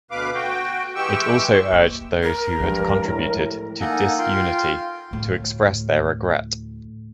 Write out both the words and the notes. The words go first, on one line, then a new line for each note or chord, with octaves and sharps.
It also urged those who had contributed to disunity to express their regret.
D2 B2 B4 F5 D6
F#4 G5
E3 G#3 G4 G5 C#6 E6
A#3
A#4
G2 F3 G#3
A2
A#3 D#4 A4 F#5 G#5 A#5
F4 F5 G5 C6
D2 A2